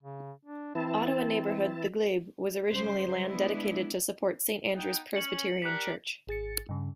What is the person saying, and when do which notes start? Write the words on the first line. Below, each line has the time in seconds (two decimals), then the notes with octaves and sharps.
Ottawa neighbourhood The Glebe was originally land dedicated to support Saint Andrew's Presbyterian Church.
0.03 C#3
0.45 D4
0.75 E3 C4 E4 A5
2.71 C#3 G3 C5
3.26 G#3 B3 D4 E4
4.74 B3 D#4 G5
5.15 C#4 C#7 F#7
5.62 D4 G4 A#4 F#6 B6
6.27 G#1 G#4 A6 C#7
6.69 G2 C#3